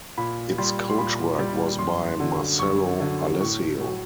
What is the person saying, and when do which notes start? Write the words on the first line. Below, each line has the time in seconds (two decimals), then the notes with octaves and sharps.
Its coachwork was by Marcello Alessio.
0.18 A#2 B5
0.58 G3 C6
0.90 C6
0.98 A#2 B5
1.39 G3
1.79 F#2 C6
2.19 D3 F#3
2.59 F#2 C#6
3.00 D3 F#3
3.40 A2 C#6
3.80 F#3